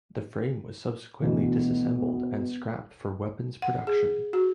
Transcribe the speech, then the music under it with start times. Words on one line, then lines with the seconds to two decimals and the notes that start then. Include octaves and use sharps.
The frame was subsequently disassembled and scrapped for weapons production.
1.22 D2 B2 E3 B3
3.62 F#5
3.87 G#4
4.33 F#4